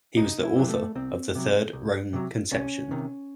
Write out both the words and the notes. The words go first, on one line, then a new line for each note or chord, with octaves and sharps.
He was the author of the Third Rome conception.
C2 D#4
E4
C3 F#3
A3
C2 C4
C3 F#3
C2
C3 F#3
C2 C#4
C3 D#3